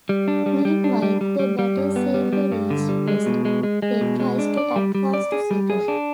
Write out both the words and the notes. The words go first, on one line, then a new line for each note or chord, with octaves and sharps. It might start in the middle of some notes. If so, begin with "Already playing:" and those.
Meanwhile, the batter safely reaches first, then tries to advance to second.
G3
D4
G3
G3
D4
G3
G3
G3
G3
G2
B3
G3
G3
G2
D3
G3
G#3
B2
G#3
G#3
G#3
B2
G#3
D4
D5
G3
G3
D5
G#4
G3
G#4
D4